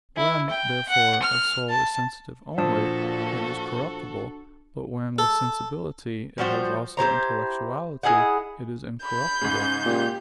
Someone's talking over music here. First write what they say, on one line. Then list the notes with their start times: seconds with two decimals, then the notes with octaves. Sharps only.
When, therefore, a soul is sensitive only, it is corruptible; but when with sensibility it has also intellectuality, it is incorruptible.
0.17 E4
0.50 G5
0.89 F#5
1.23 F6
1.70 A5
2.58 A#2 F3 D4 F#4 A4 A5
5.18 A4
6.38 F3 G3 F#4 C5
6.97 E4 G4 C5 A#5
8.03 E4 G#4 D#5 F#5
9.05 B5 G6
9.41 G#2 C#3
9.86 A#2 G4